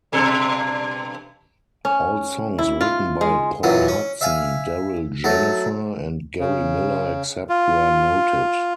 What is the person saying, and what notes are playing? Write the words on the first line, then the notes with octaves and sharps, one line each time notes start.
All songs written by Paul Hudson, Darryl Jenifer, and Gary Miller except where noted.
G2 B2 A4
C#4
E4
F4
G#3
A#2 E3 F#3
C#4
E5 F5 G#5
F#3 A3
C#3
F4